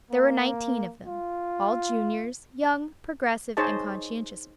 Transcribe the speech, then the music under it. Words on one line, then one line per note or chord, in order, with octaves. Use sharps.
There were nineteen of them, all juniors, young, progressive and conscientious men.
A#3
F4
D#4 G#4 C5 C#5 D#5 A5